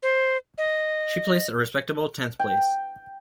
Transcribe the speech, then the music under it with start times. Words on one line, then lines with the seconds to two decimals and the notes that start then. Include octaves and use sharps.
She placed a respectable tenth place.
0.03 C5
0.58 D#5
2.39 G5